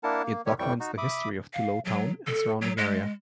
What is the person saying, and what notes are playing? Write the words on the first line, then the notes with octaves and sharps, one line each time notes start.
It documents the history of Tullow town and surrounding area.
A#3 D4 E4 A#4 F#5 A5
A#3
D#3 F#3 G3 G4 C#5
F2 A2 E3 G3 G5 C#6
D#4 F#4
E5 B5 D6 D#6
F5
F#3
A4
F#3
G#3